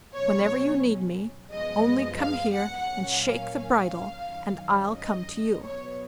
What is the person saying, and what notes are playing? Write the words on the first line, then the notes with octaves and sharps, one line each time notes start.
Whenever you need me, only come here and shake the bridle, and I'll come to you.'
B2 F#3 C#4 C#5
F#2 F3 G#3 B3 D#5
F5
F#5
A#2 F#3 A#3 C#4
F5
F5
F#2 D#3 F#3 C#4
D#5
B2 F#3 B3 C#5